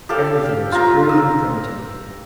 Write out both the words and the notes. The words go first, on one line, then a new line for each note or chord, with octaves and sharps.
Everything was crude and primitive.
G4 A4 F5
F4 A#5
E6